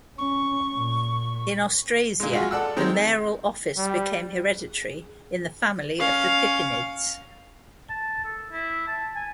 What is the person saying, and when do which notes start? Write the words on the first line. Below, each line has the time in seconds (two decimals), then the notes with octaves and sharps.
In Austrasia, the mayoral office became hereditary in the family of the Pippinids.
0.18 C#4 C#6
0.74 A#2
2.20 A#2 G#3
2.33 G#3 F4 F#4 G#4
2.51 A4 D5 F#5 E6
2.77 D#3 G#3 C4
3.78 G3
5.99 C#4 F5
7.89 A5
8.24 A4
8.52 E4
8.88 A5
9.16 G#5